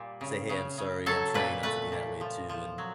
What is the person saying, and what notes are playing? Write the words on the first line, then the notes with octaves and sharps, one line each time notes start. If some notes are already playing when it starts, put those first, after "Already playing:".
say, "Hey, I'm sorry. I'm trying not to be that way too." And
Already playing: A#2 G3
C#3
C#3
C#3
F#3 A4
A#2 B4
A3 B4
A#2
F3
F3
F#3